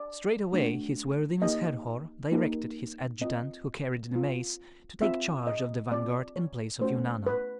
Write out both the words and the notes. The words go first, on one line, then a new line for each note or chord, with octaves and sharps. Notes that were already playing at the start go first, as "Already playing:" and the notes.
Straightway his worthiness Herhor directed his adjutant who carried the mace to take charge of the vanguard in place of Eunana.
Already playing: D5
A3 D4 F#4
A#3 D#4 G4 D#5
A#3 D#4 G4
C4 F4 D#5
C4 F4
C4 F4 E5
D#5
C4 F4 D5
C#5
A3 C#4 F#4 C5
B4